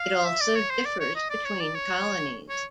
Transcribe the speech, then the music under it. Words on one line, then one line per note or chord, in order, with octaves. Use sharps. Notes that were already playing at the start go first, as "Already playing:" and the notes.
It also differs between colonies.
Already playing: F5
E5
D5
C#5
C5
D5
C#5
D#5
D5
C#5
D5
C#5
C#5